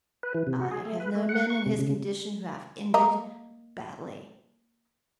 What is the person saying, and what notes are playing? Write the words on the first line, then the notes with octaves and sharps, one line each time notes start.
I have known men in his condition who have ended badly.
B4
E3
C3
F#4
G#4
A3
B4
A3
F#5
C#6
C3
C#3
A#3 D#5 A#5